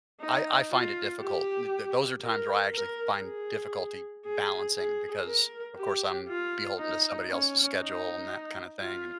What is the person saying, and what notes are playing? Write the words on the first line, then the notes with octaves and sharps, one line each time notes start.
I I I find it difficult. Th th those are times where I actually find difficulty balancing because, of course, I'm beholden to somebody else's schedule, and that kinda thing, and
D#4
F4
G4
A#4
A#4
G#4
G#4
G#4
A#4
G4
F4
D#4
C#4
D#4
F4